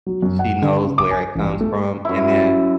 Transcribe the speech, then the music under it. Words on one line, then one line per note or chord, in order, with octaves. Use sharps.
she knows where it comes from, and then
F#3
F#2
F#5
D3
C#3
D6
G#5
A1
G3
A3
F#2 E4